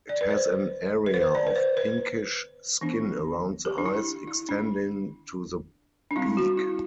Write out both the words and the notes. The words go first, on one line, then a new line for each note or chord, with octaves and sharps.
It has an area of pinkish skin around the eyes extending to the beak.
D5
B4
C5
B4
C5
D5
B4
C5
B4
E3 B3 D4
G4
D4
E4
E4
D4
D4
G3 C4 E4
F#4
E4